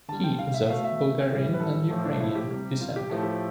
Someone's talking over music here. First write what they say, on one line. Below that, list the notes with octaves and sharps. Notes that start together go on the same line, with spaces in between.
He is of Bulgarian and Ukrainian descent.
D3 G3 A5
G5
F5
E5
B2 A3 F5
E5
A2 E3 G3
B4
A4
A2 F3 A3
D4
E4
G4
C3 G3 G4
F4
G4
A2 F3 A3 A4
G4